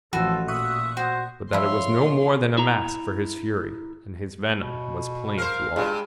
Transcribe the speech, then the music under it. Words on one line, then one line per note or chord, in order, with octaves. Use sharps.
But that it was no more than a mask for his fury and his venom was plain to all.
A1 E3 F3 F#4 A4
A#2 E5 C#6 D#6 F#6
F#4 C5
F3 E4 C#5 C6
E4 A#5
B2
A#4 C5 F5
G2 G#3 F4